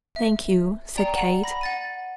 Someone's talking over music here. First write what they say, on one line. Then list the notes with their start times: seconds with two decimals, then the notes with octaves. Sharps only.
"Thank you," said Kate.
0.16 E5
0.97 D5 G5 A#5
1.15 F#5
1.44 B5 A#6
1.61 F#5 A6 D#7